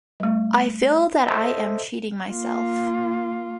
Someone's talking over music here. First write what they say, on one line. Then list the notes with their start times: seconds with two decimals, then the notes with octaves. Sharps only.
I feel that I am cheating myself.
0.20 G3 A3
1.27 A4 C5 D#5 E5
2.29 A#3 F4